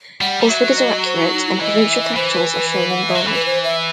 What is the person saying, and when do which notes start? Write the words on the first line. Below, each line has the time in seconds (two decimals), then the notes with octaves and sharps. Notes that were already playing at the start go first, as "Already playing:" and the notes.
All figures are accurate and provincial capitals are shown in bold.
0.21 G3 F#5
0.41 G3
0.49 F#3 E5
0.77 D#5
1.05 C5
1.19 E4
1.33 D#4
1.46 E4
1.60 E3 D#5
1.88 E5
1.95 D#5
2.02 E5
2.16 E3 C5
2.35 B4
2.53 B4
2.71 B4
2.90 F#5
3.08 E5
3.15 F#3
3.27 E3
3.34 B4
3.46 C5
3.64 E5